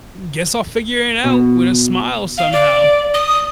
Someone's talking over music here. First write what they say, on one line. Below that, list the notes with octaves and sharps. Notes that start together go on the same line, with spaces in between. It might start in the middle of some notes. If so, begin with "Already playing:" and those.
guess I'll figure it out with a smile somehow."
B2
F5
D5
D#6